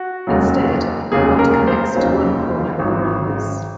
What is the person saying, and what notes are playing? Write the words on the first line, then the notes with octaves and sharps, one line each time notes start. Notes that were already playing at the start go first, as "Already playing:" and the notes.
Instead, the rod connects to one corner of a rhombus.
Already playing: F#4
F1 D#2 C#3 F#3
F1 D#2 C#3 F#3 G#4
A#4
C5
F1 D#2 C#3 F#3
G#1 G#2 F#3